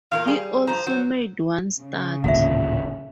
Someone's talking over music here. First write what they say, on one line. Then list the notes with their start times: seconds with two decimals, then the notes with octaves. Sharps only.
He also made one start.
0.12 E2 A#2 A#4 F5
0.27 G3 G#4
0.67 G2 F3 C5 A#5
0.87 F#3 C5
1.80 C#3
2.24 D1 G#1 A#2 E5 F#5